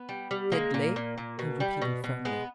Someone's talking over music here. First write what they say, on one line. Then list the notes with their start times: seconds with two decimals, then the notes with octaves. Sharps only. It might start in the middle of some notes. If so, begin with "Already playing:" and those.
"Sidley," I repeated firmly.
Already playing: B3
0.09 G3
0.31 G3
0.52 G#3 A#3
0.74 A#2
0.96 A#2
1.18 A#2
1.39 B2
1.60 G3
1.82 B2
2.04 B2
2.25 G#3 B3